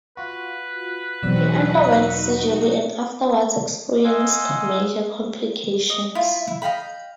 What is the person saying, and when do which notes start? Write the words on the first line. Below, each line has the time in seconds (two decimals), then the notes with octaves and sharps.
He underwent surgery and afterwards, experienced major complications.
0.17 F4 F#4 B4
1.23 E2 B2 F#3 C4 D#4 F#4 D5 E6
4.04 D#5 F5 F#5 G#5 C6 E6
5.90 D#5
6.15 E4 F4
6.48 E4
6.62 D#5 F5 G5 B5